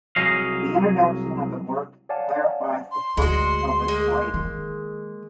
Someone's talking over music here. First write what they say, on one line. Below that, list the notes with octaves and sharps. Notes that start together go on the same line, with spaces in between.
The introduction of the work clarifies the purpose of its writing.
C2 F#3 G#4 D#5 F5
C#5 D5 F5 F#5 G#5 A5
C6
D2 G#3 F#4
G#3 A#3
D#3